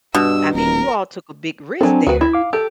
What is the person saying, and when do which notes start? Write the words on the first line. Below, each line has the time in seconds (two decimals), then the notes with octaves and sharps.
I mean, you all took a big risk there.
0.15 G2 B2 E6
0.54 D#1 A#4
1.81 F#3 C4 D4 A4 G#5
2.07 D2 F#4 B4
2.21 E4
2.33 F5 D6
2.53 G4 A4